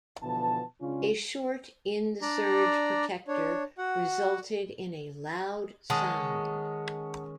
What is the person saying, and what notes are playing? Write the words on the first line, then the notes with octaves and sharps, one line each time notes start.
A short in the surge protector resulted in a loud sound.
B2 D3 E3 F3 B3 A5
C#3 G#3 C#4 D4 F4
D4 D5 A#5
D4 C#5
F#4 F#5
D#3 G#3 C#4 F#5 A5 D#6